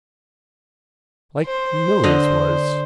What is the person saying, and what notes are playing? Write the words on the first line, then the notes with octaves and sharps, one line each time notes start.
Like Milly's was.
C5
D3 D#5